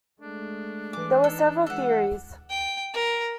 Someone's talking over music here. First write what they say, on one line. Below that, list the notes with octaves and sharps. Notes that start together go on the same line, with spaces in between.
There were several theories.
G#3 A3 D4
E3 G#5 D6
D#4 A4
E3 G#3 A4 F#5
G5
A#4